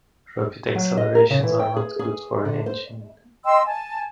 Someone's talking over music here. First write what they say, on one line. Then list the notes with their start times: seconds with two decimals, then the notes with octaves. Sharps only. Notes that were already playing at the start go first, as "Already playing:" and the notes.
Rapid accelerations are not good for an engine.
0.75 F#3
0.97 D#5
1.15 A#4
1.30 C#3
1.43 E3
1.60 G5
1.76 G#4
1.99 G#4
2.45 D3
2.66 C5
3.45 D#5 G5 C6 E6
3.65 G#5 A5